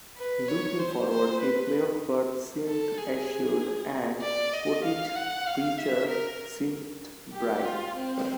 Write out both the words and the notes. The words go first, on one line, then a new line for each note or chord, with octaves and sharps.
Looking forward, a playoff berth seemed assured and Kotite's future seemed bright.
B4
C#5
C5
C5
B4
A4
G#4
D5
D#5
F5
F#5
F5
E5
A#4
G4
F4
C4